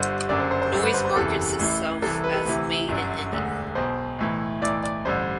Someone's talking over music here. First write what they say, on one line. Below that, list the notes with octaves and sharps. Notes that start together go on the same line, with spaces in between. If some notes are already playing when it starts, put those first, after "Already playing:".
Noise markets itself as "Made in India".
Already playing: G1 G2 D3 C5
F#1 F#2 D3 D5
C5
C5
C5
G1 G2 D3 C5
B4
C5
C5
F#1 E2 C3 E3 A4
A1 A2 E3
C2 C3 E3 A4
B4
A4
D2 C3 E3
G1 F#2 D3
E1 D2 D3
B1 B2 C5
B1 A2 E3
B1 A2 E3 D5
D5
A1 G2 D3 C5